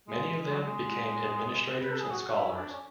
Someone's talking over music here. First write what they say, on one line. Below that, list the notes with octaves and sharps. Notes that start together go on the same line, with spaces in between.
Many of them became administrators and scholars.
G#3
G#3
F#3
G#3
B4
A4
G#4
F#4
E4
C#4
D4
C#4